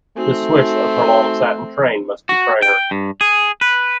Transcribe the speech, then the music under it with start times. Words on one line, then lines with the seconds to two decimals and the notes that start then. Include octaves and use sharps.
The swish of her long satin train must betray her.
0.17 A3 C4 D#4 F#4 G#5
2.29 F#4
2.62 G5
2.91 G2
3.21 G#4
3.61 B4